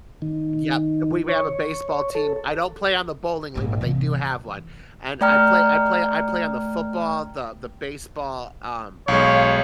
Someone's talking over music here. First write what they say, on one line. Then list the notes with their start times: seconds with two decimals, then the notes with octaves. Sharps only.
Yep. Uh, we we have a baseball team, I don't play on the bowling league, but they do have one, and I play I play I play on the football, the the baseball, um,
0.22 D#3
1.29 C#5
2.15 A4
3.55 A#1 G#2
3.81 C3 E3
5.21 A3 D5 G5 A#5 F6
9.08 B1 G#3 C#5 F5